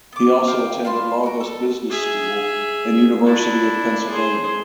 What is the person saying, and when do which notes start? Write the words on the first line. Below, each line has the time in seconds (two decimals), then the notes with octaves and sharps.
He also attended Lagos Business School and University of Pennsylvania.
0.12 B3 D6
0.47 F5 G5
0.85 F5 A5 B5 C6
1.23 F#4 D6
1.40 A4
1.90 G#4 E5
3.24 D4 E4
4.09 G#4 C5